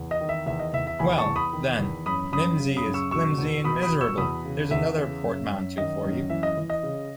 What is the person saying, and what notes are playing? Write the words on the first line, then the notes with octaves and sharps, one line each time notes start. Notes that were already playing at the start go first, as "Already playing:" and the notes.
Well, then, ‘mimsy’ is ‘flimsy and miserable’ - there’s another portmanteau for you.
Already playing: E2
D#5
D#3
E5
E2 E5
D#5
E2 E5
E5
E2 G#5 B5
A5 C#6
E2
B5 D#6
D#3
E2
F#2 B5 D#6
F#2 B5 D#6
C#3
B5 D#6
F#2
C#6 E6
B2 C#6 E6
E2
B2 B5 D#6
B5 D#6
B2
C#6 E6
E2 B5 D#6
C#3
E2 E5
C#3
F#2
F#2
D#3 D#5
F#2
E3 E5
D#5
E3
D#5
C#3